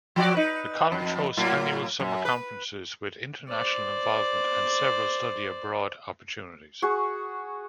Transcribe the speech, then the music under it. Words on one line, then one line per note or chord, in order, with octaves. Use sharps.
The college hosts annual summer conferences with international involvement and several study abroad opportunities.
F3 F#4 D5
D#4 B4
F2
A2 F#3 A#3
F#2
B4
C5 D5
F#4 G#4 C#6